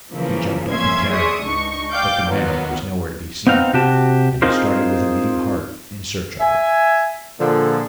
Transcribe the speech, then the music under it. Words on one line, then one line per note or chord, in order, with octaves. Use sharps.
He jumped up in terror, but the mare was nowhere to be seen, and he started with a beating heart in search of her.
C#3 E3 F3 A#3
F2 A#3 C#4 E5 C6 G#6
G#4 D5 E5 C6 C#6 D#6
C#2 G#2 D4 D#4 C#6
D5 F5 G5 D6 G6
D#3 F#3 A#3 B3 F4
B3 C4 D#4 F5
C3 F#4 G4 A5
C4 D#4 F4 G#4 A#4 C5
E5 G#5
A#2 D3 F3 A#3 G#4 A4